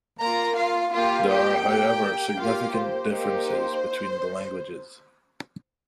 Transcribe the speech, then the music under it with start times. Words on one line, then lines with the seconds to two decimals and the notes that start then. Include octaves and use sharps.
There are however significant differences between the languages.
0.21 A#3 F4 A#4 A#5
0.57 F4 F5
0.93 A#3 F4 G4 F5
1.30 G4 G5
1.66 A#3 G4
2.39 A#3 F4 G4 F5
2.75 C5
3.12 A#3 D#4 G4
3.48 C5